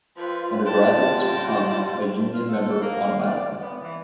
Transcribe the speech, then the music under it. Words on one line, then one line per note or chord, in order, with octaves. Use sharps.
Undergraduates become a Union member automatically.
F3 F4 B4
G3 F#4 A5
F4
A4
A#3
D5
B3
E3